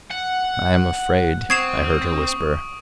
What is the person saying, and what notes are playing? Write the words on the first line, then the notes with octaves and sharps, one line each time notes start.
"I am afraid!" I heard her whisper.
F#5
C4 C#6 D#6 G#6 C7 D7 E7